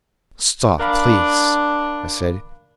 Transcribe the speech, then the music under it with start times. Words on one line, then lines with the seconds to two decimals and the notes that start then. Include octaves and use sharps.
"Stop, please," I said.
0.79 D4 A#4 F5 B5